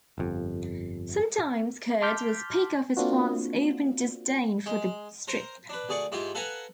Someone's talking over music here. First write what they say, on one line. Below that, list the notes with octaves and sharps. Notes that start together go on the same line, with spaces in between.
Sometimes Kurtz will speak of his father's open disdain for the strip.
G1 F2
A5 C6 D6 F6 G6 B6
A#3 C4 D4 F4 F#4
G#3
A#4 C5 A#5
D4 B4
D2 G#4 D5 C#6
G#2 E4 F4 G4
A4 B4 F5 F#5 G#5 A#5